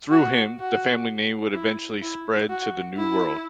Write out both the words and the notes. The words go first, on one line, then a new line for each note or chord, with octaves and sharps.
Through him the family name would eventually spread to the new world.
F#4
F#4
E4
E4
F#4
E4